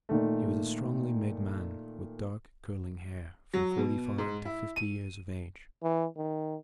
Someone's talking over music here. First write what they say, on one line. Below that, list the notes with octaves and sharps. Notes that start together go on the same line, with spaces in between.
He was a strongly made man with dark curling hair, from forty-five to fifty years of age.
A#2 D#3 A3
F#3
B2
G#2
E4
D#7
E3
D#3